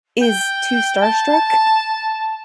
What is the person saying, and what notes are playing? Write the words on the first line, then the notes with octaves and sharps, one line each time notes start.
is too starstruck
G5
A5